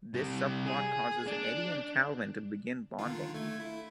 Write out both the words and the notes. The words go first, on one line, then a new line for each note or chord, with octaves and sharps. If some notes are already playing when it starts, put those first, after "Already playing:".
This subplot causes Eddie and Calvin to begin bonding.
C3 G3
G#4
D4
D3 D#3 F4
A3 G#6
E4